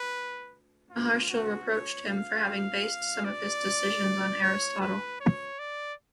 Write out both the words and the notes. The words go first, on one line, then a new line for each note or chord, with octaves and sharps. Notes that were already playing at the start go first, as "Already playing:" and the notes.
Maharshal reproached him for having based some of his decisions on Aristotle.
Already playing: B4
F4
F#4
C#5
F5
D5
C#5
B4
C#5
D5